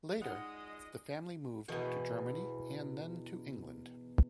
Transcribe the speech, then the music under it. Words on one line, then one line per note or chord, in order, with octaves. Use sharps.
Later, the family moved to Germany and then to England.
G#3 D#4 F4 D5 D#5 F#5
E2 B2 E3 F#5